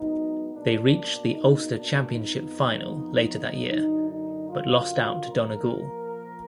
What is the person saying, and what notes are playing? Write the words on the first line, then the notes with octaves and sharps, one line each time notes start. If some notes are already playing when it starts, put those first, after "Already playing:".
They reached the Ulster Championship final later that year, but lost out to Donegal.
Already playing: G#2 F#3 B3 D#4
B2 A#3 D4
D#4
D4
F2 F3 B3 D#4
F#2 D3 F#3 D#4
D#4
F4
A#2 F3 A#3 A#4